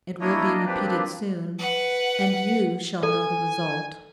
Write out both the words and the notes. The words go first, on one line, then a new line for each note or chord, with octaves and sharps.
It will be repeated soon, and you shall know the result.
A#3 D4 E4 C#5 D#5
F3 A#3 C4 D4 G4 B4
B4 F#5
A4 G#5